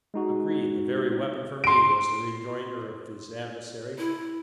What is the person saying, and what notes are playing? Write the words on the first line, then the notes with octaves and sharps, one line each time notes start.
"Agreed! the very weapon for me!" was the rejoinder of his adversary.
G#3 D#4 F#4
C6 D7
E4